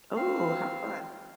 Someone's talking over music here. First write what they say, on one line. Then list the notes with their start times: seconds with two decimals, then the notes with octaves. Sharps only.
Ooh, how fun.
0.16 C4 F5